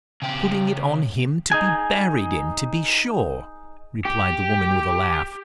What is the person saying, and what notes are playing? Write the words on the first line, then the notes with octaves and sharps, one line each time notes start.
"Putting it on him to be buried in, to be sure," replied the woman with a laugh.
C#3 G4
D#4 G#4 G#5
G4